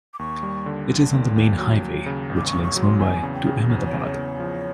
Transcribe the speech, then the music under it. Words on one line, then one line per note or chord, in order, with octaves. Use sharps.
It is on the main highway which links Mumbai to Ahmedabad.
D6
D#2 C#6
G3
D3
D#2
D#2
D#2
F#3
F#3
C#3
G#1
D6
C#6
G#1
C#6
F#3
C6
E2 G#5
C#3
G5
C#3
E2 C#5
C5
C#5
C#3
C5
C#5
E2
F3